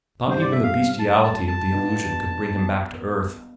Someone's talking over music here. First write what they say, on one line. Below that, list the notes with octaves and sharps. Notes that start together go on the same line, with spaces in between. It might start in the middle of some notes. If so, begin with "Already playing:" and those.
Not even the bestiality of the allusion could bring him back to earth.
G2 D3 F3 C4 G4 C5
D5
E5
F5
A5
A5
A5
B2 B3 D4 F4